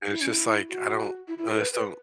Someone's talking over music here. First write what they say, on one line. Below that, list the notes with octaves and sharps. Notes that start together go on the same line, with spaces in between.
and it's just like, I don't I just don't
E4
C#4
E4
F#4
E4
E4
A4
B4
B4